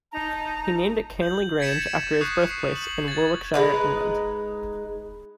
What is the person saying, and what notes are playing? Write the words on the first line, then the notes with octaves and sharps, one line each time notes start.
He named it Canley Grange after his birthplace in Warwickshire, England.
D#4 A5 A#5
G6 F#7
G#6 A6 B6 C#7 D#7 E7
C#6 D#6 F#6 G#6 C7
C7
F#7
G#6 A6
G#3 D#4 B4